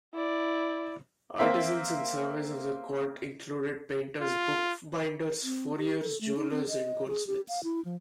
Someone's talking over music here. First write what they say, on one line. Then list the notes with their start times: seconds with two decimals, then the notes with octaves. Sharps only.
Artisans in service of the court included painters, book binders, furriers, jewellers and goldsmiths.
0.14 E4 D5
1.39 A#3 C4 E5
4.21 F4
5.43 C4
5.77 G4
6.02 A4
6.21 A3
6.36 D#4
6.51 C4
6.68 D#5
7.08 G#4
7.27 G4
7.49 F5
7.64 E4
7.85 F3